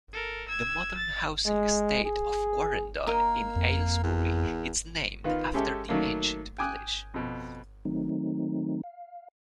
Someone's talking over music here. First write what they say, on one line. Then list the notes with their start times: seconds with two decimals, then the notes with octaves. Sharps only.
The modern housing estate of Quarrendon in Aylesbury is named after the ancient village.
0.13 A4 A#4
0.48 E6 G#6
0.96 A6
1.46 G#3
2.04 G#4
3.07 A#3 A#4 D#5
3.56 F2
4.03 E2
5.24 D#3 B3 F4
5.53 G#3 C#4 G4 A4 E5
5.89 D#3 F#3 A3 A#3
6.58 G5 G#5 D6 D#6 F#6
7.14 F2 B2
7.85 D#3 F#3 A3 C4 D#4
8.84 F5